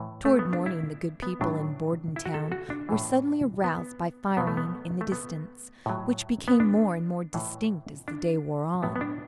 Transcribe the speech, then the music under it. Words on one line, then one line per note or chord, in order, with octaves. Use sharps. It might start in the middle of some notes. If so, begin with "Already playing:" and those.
Toward morning the good people in Bordentown were suddenly aroused by firing in the distance, which became more and more distinct as the day wore on.
Already playing: A2 E3
A3
B3
D4
E4
B3
A2 F#3 D4
E4
F#4
A4
F#4
D4
A2 E3
B3
B2 F#3 B3
A3
B3
A3
B3
A2 F#3
B3
D4
A2 E3
D4
A2 F#3 B3
B3
D4